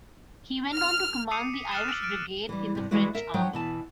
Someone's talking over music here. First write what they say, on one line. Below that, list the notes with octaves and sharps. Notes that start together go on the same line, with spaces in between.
He went on to command the Irish Brigade in the French army.
F6
D6 D#6 C7 C#7 D#7 F7
B6
F6 F#6 A6 E7
E6 A6 D7
F6 A6 D7
E3 G3
G2 C3
E3 G3 G#3 E4 F#4 B4
A#4 E5
F3 F#3 F4 G5
B2 E3 A5